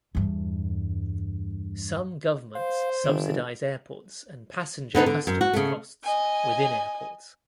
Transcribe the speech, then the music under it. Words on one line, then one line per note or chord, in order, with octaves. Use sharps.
Some governments subsidize airports and passenger customs costs within airports.
E2 G2
C5 F5
G1 D#3
D3 B3 D#4 B4
D3
F#2
F#4
C#3 A3
D#5 G#5